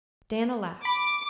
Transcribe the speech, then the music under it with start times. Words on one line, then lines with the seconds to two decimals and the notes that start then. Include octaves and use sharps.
Diana laughed.
0.85 B5 D6